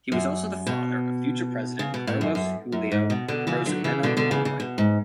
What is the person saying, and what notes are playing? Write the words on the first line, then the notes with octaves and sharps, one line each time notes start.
He was also the father of future president Carlos Julio Arosemena Monroy.
F#2
B2
C#3
B2
A2
F#2
F#2
F#2
G#2
B2
B2 D3
C#3 E3
D3 F#3
C#3 E3
B2 D3
B2 D3
C#3 E3
C#3
B2
G#2